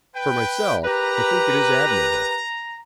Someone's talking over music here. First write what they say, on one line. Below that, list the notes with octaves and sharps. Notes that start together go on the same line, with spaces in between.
For myself, I think it is admirable.
B4 G5
G4 A#4 B4 A#5